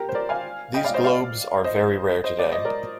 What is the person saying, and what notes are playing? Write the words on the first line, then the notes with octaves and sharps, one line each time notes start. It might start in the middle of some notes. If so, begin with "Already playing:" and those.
These globes are very rare today.
Already playing: G4 A#4
C5
A#4 D5
F5 G#5
D#5 G5
D5 F5
C5 D#5
D5 F5
C5 D#5
C5 D#5
D5
D#5
A#4 D5